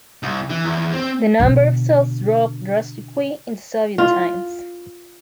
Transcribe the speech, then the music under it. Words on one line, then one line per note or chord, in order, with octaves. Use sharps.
The number of cells dropped drastically in the Soviet times.
C2
E3
E2
C4
B2 D3
F4